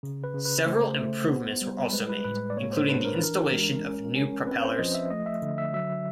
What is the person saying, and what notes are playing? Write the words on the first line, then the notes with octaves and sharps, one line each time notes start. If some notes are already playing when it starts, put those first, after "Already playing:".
Several improvements were also made, including the installation of new propellers.
C#3
B4
C#3
B4
A3 C5
A3
B3
G3
G#3 B4
B4
A2 B4
D5
A#3 C#5
C5
D4 B4
A#4
B4
E3 A#4
G#3
C#4
C#4
C4 B4
C5
F3 D#5
E5
A3 D#5
E5
D3
E5
F#3 E5